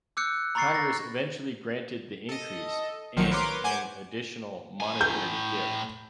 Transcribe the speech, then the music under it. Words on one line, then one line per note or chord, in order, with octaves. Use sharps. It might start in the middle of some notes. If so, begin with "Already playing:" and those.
Congress eventually granted the increase, and an additional monetary gift.
D6 E6 F#6 G6 C#7
A#5 B5 C#6 A6 C7 C#7
A6 A#6
A4 D#5
A#1 D#3 F3 F#3 C4 C#7
A#4 B4 C#5 C6 D6
F#5 G#5 D6 G6 G#6
A2 G#5
G6